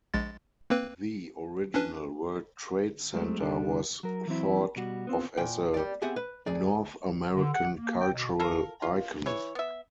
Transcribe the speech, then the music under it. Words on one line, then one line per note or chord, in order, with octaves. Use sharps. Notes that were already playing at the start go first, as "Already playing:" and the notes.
The original World Trade Center was thought of as a North American cultural icon.
A#1 G#3 A6
A#3 C4 B4
C#4 D4 B4
F#3 G#3 A3 C4
C2 F#2 D3 G3 D4 A4
F#3 A#4
E3 F#3 C4 E4
B2 G3 F#4
B3 C4 F4
A#2 E3 G5
G3 D5
B3 C4 G4 G#4 E5 F#5
B4
D2 G#4 D5
D3
F#5
A#3
G5
B2
F4 A4 A#4
F4
E3 C#5
B3 E5